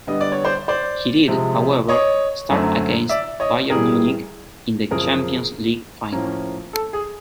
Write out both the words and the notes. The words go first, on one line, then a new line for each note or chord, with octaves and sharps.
He did, however, start against Bayern Munich in the Champions League final.
D3 G3 B3 D#5
D5
C#5
C5 D5
C5 D5
C3 F3 G#3
C#5 D#5
F#2 D3 F#3 A3 C4
D5 E5
C#5 D#5
A2 E3 G3 G#4 A#4
F#2 C#3 F3 A#3 G#4 A#4
A2 F3 A#3 C#4
A4
G#4